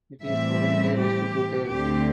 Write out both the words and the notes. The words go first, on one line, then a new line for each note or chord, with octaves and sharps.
It is widely distributed.
A2 E3 G3 C4 E5
G4
D2 D3 A3 C4 G4